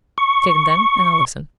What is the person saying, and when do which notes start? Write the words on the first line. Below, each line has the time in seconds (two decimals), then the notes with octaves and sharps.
"Say them, then, and I'll listen."
0.18 C#6